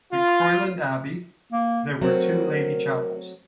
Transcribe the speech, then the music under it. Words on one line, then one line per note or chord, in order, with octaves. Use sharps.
At Croyland Abbey there were two lady chapels.
F4
A#3
F#3 A3 C4 A#4